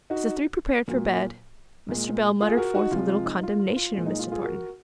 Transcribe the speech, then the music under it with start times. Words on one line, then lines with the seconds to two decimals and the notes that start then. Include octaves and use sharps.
As the three prepared for bed, Mr. Bell muttered forth a little condemnation of Mr. Thornton.
0.10 D#4 F#4
0.88 A#2 F#3
1.89 A#2 G#3
2.41 F4 G#4
2.57 F#4 A#4
2.74 D#4 F#4
2.91 C3 F3 G#3 F4
3.09 F4
3.26 D#4
3.43 F4
3.59 F4
3.76 F4
3.94 A#2 G#3 F4
4.06 D#4
4.19 F4
4.32 F4 G#4
4.45 F#4 A#4